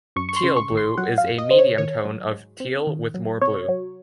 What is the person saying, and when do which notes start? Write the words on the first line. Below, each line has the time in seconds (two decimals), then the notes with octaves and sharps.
Teal blue is a medium tone of teal with more blue.
0.16 F#2 C#6
0.29 C#6
0.36 C6
0.43 C#3
0.57 C#6
0.71 G#1
0.77 C6
0.98 F#3 F#5
1.18 F5
1.24 F#2
1.38 D#5
1.51 C#3 C5
1.59 C#5
1.78 D#3 C#5
2.05 F#3
2.33 G#2
2.60 C4
2.87 D#3
3.14 F#3
3.41 C3 C#5
3.68 F#3